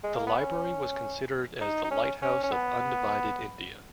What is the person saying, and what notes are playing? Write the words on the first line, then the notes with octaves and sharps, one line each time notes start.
The library was considered as the Lighthouse of undivided India.
G#3
A#3
B3
C#4
D#4
D#4
C#4
C#4
C#4
B3